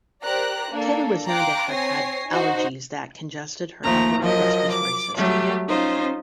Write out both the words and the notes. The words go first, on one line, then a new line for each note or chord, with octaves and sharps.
Taylor was known to have had allergies that congested her upper respiratory system.
G4 A#4 C5 D5 A#5 F#6
A#3 D4 A4
F5 G5 A#5 C6 D6 F#6
C4 C#5 G#5 A#6 C7
D#4 F#4 C5
D#2 F3 A3 A#5
F3 F#3 A#4 D#5
D6
F#3 G3 A3 G4
C#4 D#4 F4 C5